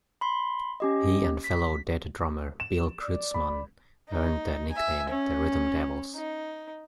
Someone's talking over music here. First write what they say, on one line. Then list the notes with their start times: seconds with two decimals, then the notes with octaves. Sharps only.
He and fellow Dead drummer Bill Kreutzmann earned the nickname "the rhythm devils".
0.21 B5 C6
0.80 C#4 G4 D#5
1.44 B6
2.60 E7
3.02 D5
3.34 B5
4.09 D#4
4.72 E5 G#5
5.10 C#4
6.15 D#4